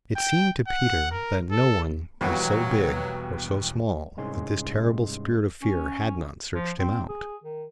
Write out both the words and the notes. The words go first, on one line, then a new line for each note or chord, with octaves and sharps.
It seemed to Peter that no one was so big or so small that this terrible Spirit of Fear had not searched him out.
G5
F#5
A#4
A4
E1 D#2 B2 E3 F#3 G3 F#4 B4
C2 G#2 G#3 C#4 C6
C#4
F3
C4
G#4
D#3